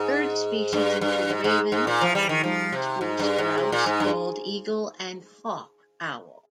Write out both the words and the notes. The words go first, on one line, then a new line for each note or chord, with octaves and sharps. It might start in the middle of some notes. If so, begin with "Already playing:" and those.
Bird species include raven, common loon, spruce grouse, bald eagle and hawk owl.
Already playing: G#2
G2
G2
G#2
G#2
G#2
A#2
F3
G3
D#3
F3
C3
G#2
G2
G#2
C3
A#2
G#2
G2